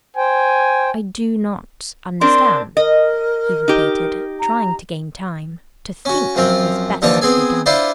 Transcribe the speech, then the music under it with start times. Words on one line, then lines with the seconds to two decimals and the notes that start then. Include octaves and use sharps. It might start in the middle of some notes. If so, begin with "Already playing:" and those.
"I do not understand," he repeated, trying to gain time, to think what was best to be done.
0.17 C5 G5 G#5
2.21 C4 D4 A#4 C6
2.77 A#4 D#5
3.68 D#4 G4
4.40 A#5
6.05 C#4 F#4
6.36 F#2 F3 C4 F4
7.02 D#2 D3 E3 F3 D4 A5
7.21 B3 C4 G#4 G#5
7.66 D4 E4 F4 B4 C5 D5